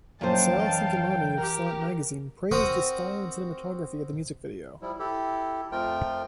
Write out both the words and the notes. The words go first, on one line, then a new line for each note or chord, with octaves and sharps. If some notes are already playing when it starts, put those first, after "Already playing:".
Sal Cinquemani of "Slant Magazine" praised the style and cinematography of the music video.
F#2 F3 F#3 A#3 C5 F5 G5 A5
E3 D#5
G4 A#4
C4 F#4 A#4 D#6
F3 G3 E4
E4 G4 A4
F2 F3 A3 F4 A#4 G5